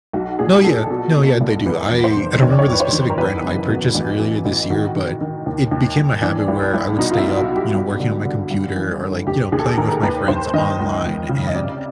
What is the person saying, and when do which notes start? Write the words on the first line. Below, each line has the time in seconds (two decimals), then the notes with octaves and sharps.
No, yeah. No, yeah, they do. I I don't remember the specific brand I purchased earlier this year, but, it became a habit where I would stay up, you know, working on my computer or, like, you know, playing with my friends online, and,
0.13 B1 F#4
0.39 A#2 G#4
0.64 A#2 A4
0.75 G#4
0.84 A4
0.90 B2
1.15 B2
1.41 C2
1.66 E2 B4
1.91 E2
2.04 C5
2.16 F1
2.42 D#3 C#5
2.50 D5
2.59 C#5
2.68 F2 B4
2.80 C5
2.93 D#3
3.10 A#4
3.18 E2 B4
3.44 F#1
3.69 B2
3.95 A1
4.19 E3
4.45 A1
4.70 D#3 F#4
4.96 D#3
5.21 D#3
5.46 D#2
5.71 D#2
5.97 D#2
6.22 E3 D4
6.48 C2
6.61 D4
6.74 C2
6.99 B2 D#4
7.12 F4
7.17 E4
7.23 B1
7.37 F#4
7.49 B2
7.56 G4
7.75 G2
8.00 D3
8.25 D3
8.51 G2
8.76 E3
9.02 G1
9.27 D#2 G4
9.52 D#2 G#4
9.59 A4
9.67 G#4
9.78 D#3 A#4
9.91 A#4
10.03 D#2 B4
10.28 D#2 C5
10.54 D#3 D#5
10.79 C#2
11.05 C#2
11.29 C#3
11.47 D#5
11.55 C3 D5